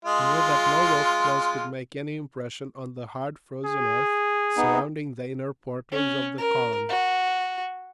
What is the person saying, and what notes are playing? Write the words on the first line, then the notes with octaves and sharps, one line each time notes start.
He knew that no wolf-claws could make any impression on the hard-frozen earth surrounding the inner portals of the colony.
G#3 F4
G#4
B3 D#4
C#4
A#4
F#4